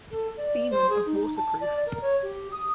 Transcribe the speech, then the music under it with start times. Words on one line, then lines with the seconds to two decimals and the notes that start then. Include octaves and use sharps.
Seaman of Waterproof.
0.11 A4
0.37 D5
0.70 C5
0.89 G#4
1.05 D#4
1.36 A5
1.60 D5
1.86 A#4
2.01 C#5
2.22 G4
2.51 D#6